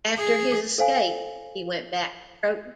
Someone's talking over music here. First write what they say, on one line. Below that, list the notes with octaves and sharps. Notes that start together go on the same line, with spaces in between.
After his escape he went back to Croton.
G#4
A4 C5 F5 G#5